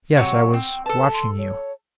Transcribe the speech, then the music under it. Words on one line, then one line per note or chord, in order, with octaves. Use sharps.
"Yes--I was watching you."
C3 F#3 C#5 F#5
C4 G5
A4 B4 A5
C6
C#5